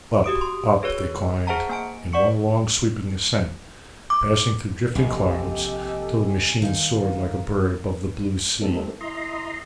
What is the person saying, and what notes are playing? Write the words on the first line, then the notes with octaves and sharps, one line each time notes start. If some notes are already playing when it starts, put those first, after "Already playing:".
Up, up, they climbed in one long sweeping ascent, passing through drifting clouds till the machine soared like a bird above the blue sea.
F#4 G4 D#6 D7
C6
F#4 G#4 B4 C#5
G#4 C5 E5 F#5 A5 A#5
A#3 G#5 D7
D5 F#5 C#6 C#7
D6
A#1 C3 G4 A4 D#5 G#5
D#3 D#4 F5 G#5
G3 A3 A#3 C4 D#4 A4
E4 D#5 A#5 C6